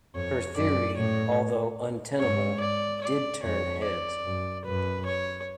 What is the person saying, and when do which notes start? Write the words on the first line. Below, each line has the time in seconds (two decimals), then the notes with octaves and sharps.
Her theory, although untenable, did turn heads.
0.15 F2 C#5
0.56 F#2 D5
0.97 A2 C#5
2.20 G#2 C#5
2.60 D5
3.02 D5
3.43 F2 C#5
3.84 D5
4.25 F#2
4.65 F#2 B4
5.06 C#5